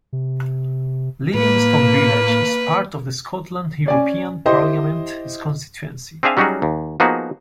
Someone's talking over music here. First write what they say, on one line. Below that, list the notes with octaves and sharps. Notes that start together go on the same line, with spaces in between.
Livingston Village is part of the Scotland European Parliament constituency.
C3
A2 A#3 B4
C#4 D5 G#5
E4 G4 C5 D#5
C4 D4 G#4 E5 F5 G#5
F#3 G3 C#4 D#4 F#4 G#4
D#2
F3 A#3 B3 D#4 F#4 G#4